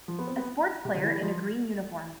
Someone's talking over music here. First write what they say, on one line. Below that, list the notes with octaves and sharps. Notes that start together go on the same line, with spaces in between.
A sports player in a green uniform.
F3
B3
C4
B3
C3
D3
E3
G3
F3